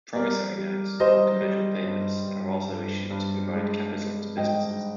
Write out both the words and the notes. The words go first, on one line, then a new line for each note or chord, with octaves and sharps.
Promissory notes, or commercial papers, are also issued to provide capital to businesses.
G3 A#4 D5
G3
G3 C5 D#5
G3
G2
G2
G2
G2
G#3
G#3
G#2 D#5 G5